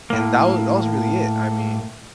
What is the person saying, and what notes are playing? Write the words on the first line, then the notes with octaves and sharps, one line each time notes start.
and that wa that was really it, I mean
A2 A#3